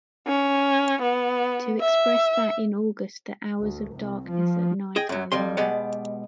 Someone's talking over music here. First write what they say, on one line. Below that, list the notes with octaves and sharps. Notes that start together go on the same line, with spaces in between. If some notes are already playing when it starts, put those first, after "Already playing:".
To express that in August the hours of darkness at night are longer.
C#4
B3
E5
D2
C2
F3
G#4 D#5 G5
F#2 F#3
F2 G3 C6
B2 G#3 B3 G4 D5 F#5